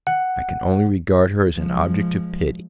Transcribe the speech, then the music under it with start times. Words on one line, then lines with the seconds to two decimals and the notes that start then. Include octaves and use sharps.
I can only regard her as an object of pity!
0.07 F#5
1.56 F3 G#3